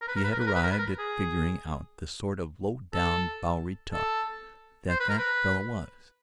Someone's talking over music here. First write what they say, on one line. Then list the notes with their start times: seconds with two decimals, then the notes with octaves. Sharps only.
She had arrived at figuring out the sort of low-down Bowery tough that that fellow was.
0.01 A#4
0.08 B4
0.16 A#4
0.24 B4
0.32 A#4
0.39 B4
0.47 A#4
0.55 B4
0.63 A#4
0.71 B4
0.78 A#4
0.99 G#4
2.94 A4
3.93 A4
4.89 C5
5.00 B4
5.09 A#4
5.18 B4